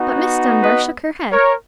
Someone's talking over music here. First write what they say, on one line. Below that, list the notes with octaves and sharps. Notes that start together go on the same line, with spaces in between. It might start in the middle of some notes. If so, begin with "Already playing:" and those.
But Miss Dunbar shook her head.
Already playing: B3 D#4 F#4
B4 D#5
A#4 C#5